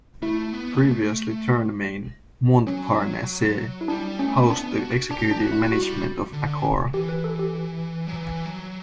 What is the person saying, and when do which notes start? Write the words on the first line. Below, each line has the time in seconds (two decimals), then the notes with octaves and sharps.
Previously Tour Maine-Montparnasse housed the executive management of Accor.
0.22 A3 E4
0.53 B3
0.75 B3
0.84 A3
2.67 F#3 C#4
3.81 E4
3.88 G3 D4
4.19 A3 C#4
4.50 B3 D4
4.80 F#4
5.10 D4 G4
5.31 D4
5.41 F#4
5.52 E4
5.71 G3 F#4
6.33 D3
6.93 E3 G4
7.09 B4
7.24 A4
7.39 G4
8.07 F#3
8.16 E3
8.46 F#3